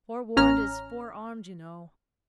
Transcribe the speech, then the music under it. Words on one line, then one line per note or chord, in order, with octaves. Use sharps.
Forewarned is forearmed, you know.
A1 C#4 A#5 F6